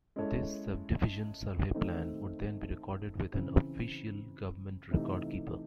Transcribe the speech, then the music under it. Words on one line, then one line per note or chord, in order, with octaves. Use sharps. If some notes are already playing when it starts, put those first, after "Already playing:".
This subdivision survey plan would then be recorded with an official government record keeper.
G#3 C#4 E4 A4 C#5
D#3 A3 C4 D#4
C#3 E3 C4
C3 E3 A3 D#4